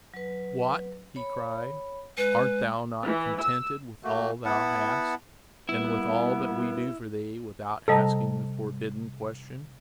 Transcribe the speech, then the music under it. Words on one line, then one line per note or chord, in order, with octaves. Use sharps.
"What," he cried, "art thou not contented with all thou hast and with all that we do for thee without asking the forbidden question?"
F#3 B4
C#5 B5
G#3 B4
E3
E6
A3 A#3 F#4
B3 E4 F#5 A5
G3 A#3 B3 E4
C3 G3 A4 D#5 A#5